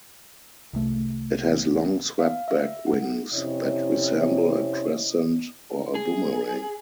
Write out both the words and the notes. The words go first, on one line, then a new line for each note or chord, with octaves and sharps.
It has long swept-back wings that resemble a crescent or a boomerang.
C2 A3
F5
E5
F#5
F2 C3 C#4 E4 C#5 D#5
G#4